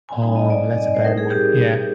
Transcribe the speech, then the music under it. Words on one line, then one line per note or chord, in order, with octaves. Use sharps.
Oh, that's a bad one, yeah.
G#5
G3 C4 D#4 G#5
D#5
D5
G3 C4 D#4
D#5
D5
C5
G3 C4 D#4 A#4
G#4
G4